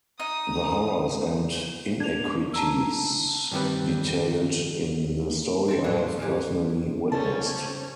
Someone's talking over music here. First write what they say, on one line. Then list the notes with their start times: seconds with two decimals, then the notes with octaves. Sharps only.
The horrors and inequities detailed in the story I have personally witnessed.
0.20 D#4 D#6
2.00 D4 G#6 F7
2.53 A5 A#5 E6
3.51 G2 D#3 G3 C4 B4
5.68 C4 A4
5.84 A2 F#3 D4
5.98 C5
6.18 D#2 E3 G4
7.12 C#3 G3 C4 C#4 D#4 C#5 A5